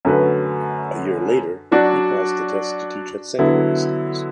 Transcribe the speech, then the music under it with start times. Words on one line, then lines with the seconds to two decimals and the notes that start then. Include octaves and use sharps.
A year later he passed the test to teach at secondary schools.
0.05 F#2 D3 A3 F#4 B4
1.72 F#3 D4 F#4 D5
3.39 D3 F#3 B3 E4